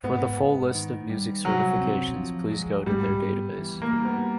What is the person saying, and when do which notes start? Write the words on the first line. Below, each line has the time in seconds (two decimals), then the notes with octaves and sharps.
For the full list of music certifications, please go to their database.
0.04 G#2 B3
0.39 G#2
0.75 D#3
1.10 G3
1.45 C3 F#3
1.80 C4
2.16 F3
2.51 G#3
2.86 G#2 G3
3.22 B3
3.58 E3
3.82 A#3
3.93 G3
4.05 B3